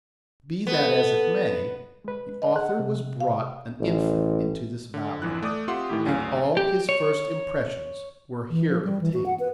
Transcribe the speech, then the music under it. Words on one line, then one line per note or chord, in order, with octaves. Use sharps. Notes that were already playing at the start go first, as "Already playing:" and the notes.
Be that as it may, the author was brought an infant into this valley, and all his first impressions were here obtained.
B3 A4
G#3 B4
D#5
G#4 F#5 F#6
C3
F5
A1
D3
G#1 F2 E3 F3 E4 F#6
A3 D5 D6 D#6
C4 F4 G4 E5 F#5 C6
A2 D#3 E3 A3 E4 G4
G#1 D2 F#3 C#4 F5
G4
C#5
E3
F3
G3
E3
F#4
F#5
B4